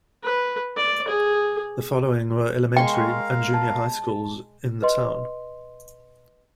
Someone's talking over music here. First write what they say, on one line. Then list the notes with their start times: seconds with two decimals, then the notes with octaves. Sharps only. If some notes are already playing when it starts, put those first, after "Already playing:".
The following were elementary and junior high schools in the town.
0.24 B4
0.76 D5
1.08 G#4
2.77 G#3 A#4 F5 G5 C6 C#6
3.54 A5
4.82 B4 D#5 C6